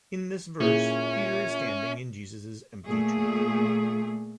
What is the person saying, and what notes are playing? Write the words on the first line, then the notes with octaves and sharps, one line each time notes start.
In this verse, Peter is standing in Jesus's empty tomb.
A#2 C#4 E4 G#4 E5
A#2 A3 G#4